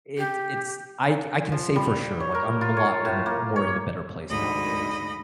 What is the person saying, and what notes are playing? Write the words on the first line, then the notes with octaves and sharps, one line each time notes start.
it's it's I c I can say for sure, like, I'm a lot in a more in a better place nowadays.
G4
F3
G3
C#5
A#4
F4
C#5
A2
A#3
C#5
D2 G#2 D#5 B5